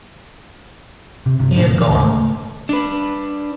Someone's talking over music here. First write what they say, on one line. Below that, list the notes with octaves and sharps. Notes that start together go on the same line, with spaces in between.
He is gone.
C3
G1 C3
F2 A2 C3 D4
F1 F#2 D#3
D2 C#3
A3
D4 B4